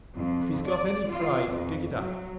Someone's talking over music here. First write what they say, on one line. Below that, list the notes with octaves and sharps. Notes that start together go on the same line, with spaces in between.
If he's got any pride, dig it up.
F2
D5
F4
F2
F#3